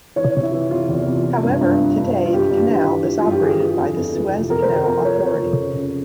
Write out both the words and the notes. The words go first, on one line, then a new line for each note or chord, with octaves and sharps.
However, today the canal is operated by the Suez Canal Authority.
E3 C#5
C3
E4
E3
C3 F4
E2
C3
F3
G2
G2
G2
G2
F3
F4
G2 G4
G2
E3
E3
E3
G2 F4
G4
E3 G#4
E3
F2
F2
E3
C3
F2 A#4
C5
F2
A#4
F2
F3 C#5
C3
F2
C#3
C#3